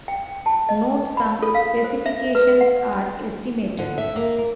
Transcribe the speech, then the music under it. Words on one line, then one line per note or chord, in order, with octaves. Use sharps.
Note some specifications are estimated.
G5
A5
D#5
B5
A4
F5
C5
E5
B4
F#5
D3
E5
A#3
A#4